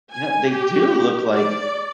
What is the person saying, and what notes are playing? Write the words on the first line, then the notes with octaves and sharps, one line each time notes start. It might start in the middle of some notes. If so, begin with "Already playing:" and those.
you know, they do look like
G#5
G4
D5